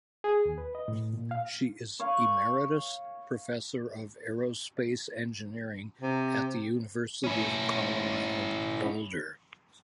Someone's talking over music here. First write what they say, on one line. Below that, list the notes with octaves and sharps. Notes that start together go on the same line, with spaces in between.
She is Emeritus Professor of Aerospace Engineering at the University of Colorado Boulder.
G#4
D#2
B4
D#5
A2
A#2
F5
C#5 F5 C#6
C3
C#4 E4